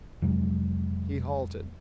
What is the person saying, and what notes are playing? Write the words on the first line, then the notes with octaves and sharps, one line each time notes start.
He halted.
F2 C3 F#3 G#3